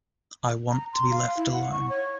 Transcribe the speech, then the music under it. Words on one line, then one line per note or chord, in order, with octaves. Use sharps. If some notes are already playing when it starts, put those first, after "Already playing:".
I want to be left alone.
A#5
C6
F5
E4
F#5
C#6
C#5